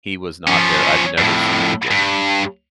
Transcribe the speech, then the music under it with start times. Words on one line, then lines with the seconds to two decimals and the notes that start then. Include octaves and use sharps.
He was not there. I've never seen him again.
0.48 F3 C#4
1.18 F2 A2
1.91 G2